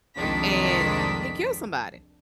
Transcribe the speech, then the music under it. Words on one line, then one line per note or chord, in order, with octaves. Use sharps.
and he killed somebody.
C2 F2 D#3 G#3 D4 B6